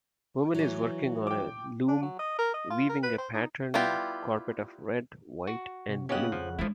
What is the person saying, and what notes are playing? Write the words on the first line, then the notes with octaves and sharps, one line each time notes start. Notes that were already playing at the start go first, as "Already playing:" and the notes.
Woman is working on a loom weaving a patterned carpet of red, white, and blue.
E3 F#3
G5 D6
D4
F#3
D#5
A#4
D#5
F4
A#4
B4
C5
D#4
G3 B3 E4 F4 G4
F#4
C3
C#3 B3 C#4 G4 D#5 F#5
F2 F3
F3 G#3 A3 D4 E4